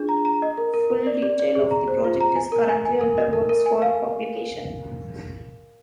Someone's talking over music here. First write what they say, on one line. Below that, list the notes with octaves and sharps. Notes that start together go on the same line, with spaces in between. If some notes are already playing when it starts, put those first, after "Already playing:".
Full detail of the project is currently under works for publication.
Already playing: D4 F4 G#4
A#5
A#5
D#5
A#4
A#4
A#4
D5
D5
D5
G#4
A#5
C5
F4
A#5
G#5
A#4
G#5
G#5
A#4
D#5
A#4
A#4
G#5
F5